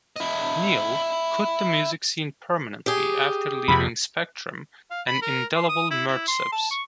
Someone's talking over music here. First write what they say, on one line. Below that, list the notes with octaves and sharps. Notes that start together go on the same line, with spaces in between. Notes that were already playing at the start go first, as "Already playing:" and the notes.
Neale quit the music scene permanently after leaving Spectrum and Indelible Murtceps.
E4 D#5
G4 G#4
F2 C3 B5
F5
B5
A#4
C6
D#6
E4
E4
C6
A5
C#6